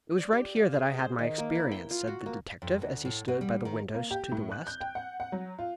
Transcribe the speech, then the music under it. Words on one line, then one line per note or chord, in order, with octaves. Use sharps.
"It was right here that I had my experience," said the detective, as he stood by the windows to the west.
D5
G4
F5
G#4
C5
D#3
A#3
E4
G5
F4
F#4
A#3
F2
D2
A2
B2
G3
D#3
A#3
G4
A2
F#6
G6
G5
F#5
F#5
F#3
F4